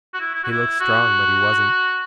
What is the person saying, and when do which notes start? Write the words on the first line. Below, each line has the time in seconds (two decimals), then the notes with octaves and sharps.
He looked strong, but he wasn't.
0.14 F#4
0.20 E4
0.35 E4
0.43 F#4
0.51 E4
0.80 F#4